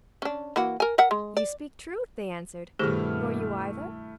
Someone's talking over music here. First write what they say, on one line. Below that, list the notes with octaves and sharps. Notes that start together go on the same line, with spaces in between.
'You speak truth,' they answered, 'nor you either?'
C#4 D4
E3 A#3 F#4
A#4 G#5
A#4 E5 F#5
G#3
D5
G2 B2 D#3 A3 E4 G4 G#4 F6